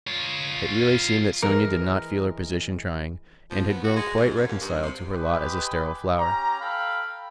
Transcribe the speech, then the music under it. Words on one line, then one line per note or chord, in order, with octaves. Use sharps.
It really seemed that Sonya did not feel her position trying, and had grown quite reconciled to her lot as a sterile flower.
F4 C#5
E3 G#3 A#4
F3
B3
F#4
G#3
G#2
F#2
D#2
G2
C3
G#3 G4 B4
C#4 G4 A#5
A4 F5 G5 B5